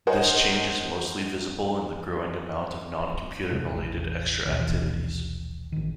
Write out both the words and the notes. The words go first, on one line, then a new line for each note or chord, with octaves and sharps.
This change is mostly visible in the growing amount of non-computer related extra activities.
A#4 C5 C#5 D#5 F#5 G#5
E1 C3 G#3
E1 A1
A#1 D#2 B2 E3
A1 D#3